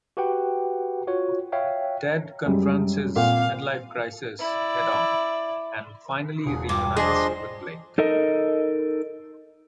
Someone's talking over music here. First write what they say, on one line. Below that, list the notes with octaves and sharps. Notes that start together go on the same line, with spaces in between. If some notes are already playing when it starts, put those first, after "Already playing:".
Ted confronts his midlife crisis head-on and finally reunites with Blake.
F#4 G4 B4 F#5 G5
F4 F#4 C#5
C#5 E5 F5 G5
F#2 G3 G#3
A#2 C4 F5 F#5
E4 D5
E1 G#4
G2 F4 D6
F3 D4 G#4 D#5 C6
D#4 A4 A#4 D#5